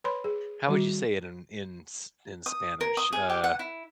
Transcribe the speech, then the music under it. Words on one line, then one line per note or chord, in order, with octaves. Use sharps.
how would you say it in in S in Spanish? Uh
B4 C#5 B5 C6
G#4
D#3 G3 F#4
D#6
A#4
D#6
G#4
G4
F#5
E4